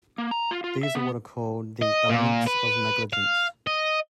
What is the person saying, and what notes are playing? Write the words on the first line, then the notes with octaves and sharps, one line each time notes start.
These are what are called the "elements" of negligence.
A#3
A#5
F4
F4
E5
B3
D#5
A#2
B4
F5
D#5